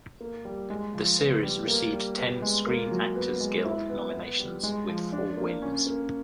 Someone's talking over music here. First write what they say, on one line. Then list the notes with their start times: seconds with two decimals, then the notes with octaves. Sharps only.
The series received ten Screen Actors Guild nominations with four wins.
0.21 A#3
0.45 G3
0.70 G#3
0.94 F3
1.19 B3
1.43 G3
1.68 A#3
1.93 G3
2.18 B3
2.42 G#3
2.67 A#3
2.91 F#3
3.16 B3
3.40 G#3
3.65 E4
3.89 B3
4.14 B3
4.39 G3
4.63 G#3
4.88 F3
5.12 D4
5.37 A#3
5.62 C#4
5.87 A#3